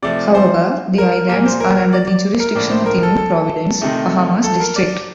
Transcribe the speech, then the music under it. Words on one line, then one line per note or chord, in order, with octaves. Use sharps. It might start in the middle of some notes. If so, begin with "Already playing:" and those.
However, the islands are under the jurisdiction of the New Providence, Bahamas District.
C3 F3 A3 D5
C5
A#4
A#2 G3 A#3 A#4
C5
A#4
A#4
D5
D5
A#4
A2 F3 A#3 D4 D5
C5
A#4
A4
A4
C3 D#3 A3 D#4
A4
A#4
D5